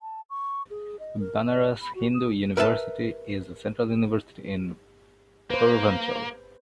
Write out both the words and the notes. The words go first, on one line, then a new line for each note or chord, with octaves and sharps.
Banaras Hindu University is a Central University in Purvanchal.
A5
C#6
G#4
D#5
A#4
D5
B5
F#4
D#6
A#4 B4 E5 F#5 A5
A#3 B4 C5